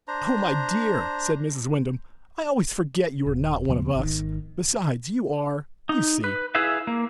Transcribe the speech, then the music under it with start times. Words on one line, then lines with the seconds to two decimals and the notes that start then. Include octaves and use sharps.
"Oh my dear," said Mrs. Wyndham, "I always forget you are not one of us. Besides, you are, you see."
0.08 D4 C5 A#5
3.26 D#1
3.69 D#2 C#3 F3 B3
3.95 G#1 D#3
5.89 D#4
6.24 B4
6.55 E4 G#4 B4 E5 F5
6.87 A#3